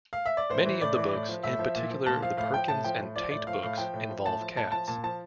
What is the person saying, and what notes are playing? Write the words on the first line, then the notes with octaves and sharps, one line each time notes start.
Many of the books, in particular the Perkins and Tate books, involve cats.
F5
E5
D5
A2 C5
E3
A2 D5
E3
A2
F3
A2 E5
F3
A#2
F3
A#2 A5
F3 F5
A2 F5
F3 G5
A2 A5
F3 G5
A2
F3 D5
A2 D5
F3 F5
A2 F5
F3 G5
A2
F3
A2 A5
F3
A2 A5
F3 A5
A#2 A5
F3 A5